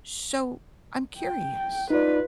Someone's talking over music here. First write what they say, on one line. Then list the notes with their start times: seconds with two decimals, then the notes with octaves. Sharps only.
So, I'm curious,
1.19 G5
1.90 D#4 F4 B4 D5